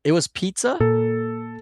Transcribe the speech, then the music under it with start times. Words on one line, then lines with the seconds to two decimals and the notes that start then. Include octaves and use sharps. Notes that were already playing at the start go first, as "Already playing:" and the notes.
it was pizza,
0.80 A#2 A4